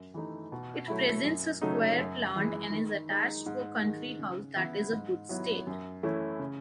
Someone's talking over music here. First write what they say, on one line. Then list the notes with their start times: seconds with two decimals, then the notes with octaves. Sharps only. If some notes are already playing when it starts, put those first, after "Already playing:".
It presents a square plant and is attached to a country house that is a good state.
Already playing: F#2
0.14 E3 A3 D#4
0.52 B2
0.88 F#3 A3 E4
1.25 F#2
1.62 C#3 F#3 A3 D#4
1.98 F#2
2.36 E3 G#3
2.72 D#3
3.10 G#3 D#4
3.46 G#2
3.82 D#3 G#3
4.19 C#3
4.56 E3 B3 E4
4.93 G#2
5.29 F#3 B3 E4
5.67 F#2
6.03 E3 A3 C#4 E4
6.39 C#3